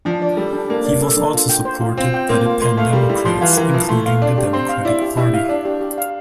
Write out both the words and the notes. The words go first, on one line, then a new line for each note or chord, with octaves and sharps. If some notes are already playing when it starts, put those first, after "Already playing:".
He was also supported by the pan-democrats, including the Democratic Party.
F3 D4
D5
G3 A4
D4
A#3 D4
D5
A4
D4
F4
G5
C5
F4
C4 F4
G5
A#3 C5
F4
A#3 C6
A3 F5
G3 A#4
G3 E4
F3 C6
E3 F5
E3 A#4
F3 E4
A3 C6
F5
D4 D5
G4
C4 C6
F5
E4 D5
G4
E4 G4
F5
D4 D5
G4
G4
F5